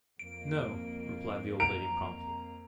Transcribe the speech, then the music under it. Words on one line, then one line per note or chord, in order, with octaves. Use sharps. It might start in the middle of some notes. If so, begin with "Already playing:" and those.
"No," replied the old lady, promptly.
F2 A#3 D7
A#5 D7